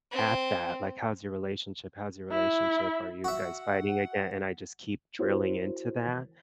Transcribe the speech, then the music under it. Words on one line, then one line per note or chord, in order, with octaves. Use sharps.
at that, like, "How's your relationship? How's your relationship? Are you guys fighting again?" And I just keep drilling into that,
C4
E4
F#4 E5 F#5
B3 E4 F#4 A#4 C5 C#5